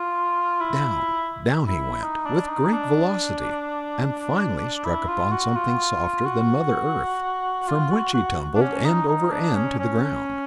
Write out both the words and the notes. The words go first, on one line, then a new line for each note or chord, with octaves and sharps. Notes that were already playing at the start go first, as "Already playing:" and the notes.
Down--down he went, with great velocity, and finally struck upon something softer than mother earth, from which he tumbled end over end to the ground.
Already playing: F4
E4
E4
D#4
D4
D#4
D4
E4
F4
F#4
F4
F#4
F4
F#4
F#4
D4
C#4
D#4
D#4
D4
C#4
C#4